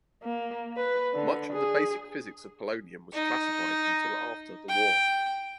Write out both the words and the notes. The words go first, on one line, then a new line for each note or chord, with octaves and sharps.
Much of the basic physics of polonium was classified until after the war.
A#3
B4
D3
G#4
D#4
G5